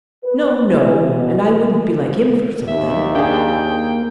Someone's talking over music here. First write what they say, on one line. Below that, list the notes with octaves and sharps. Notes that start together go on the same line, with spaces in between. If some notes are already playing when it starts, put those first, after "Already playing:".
No, no. And I wouldn't be like him for something.
B4
E3
B2
D#2 E5
A#3 D4 G#4 G5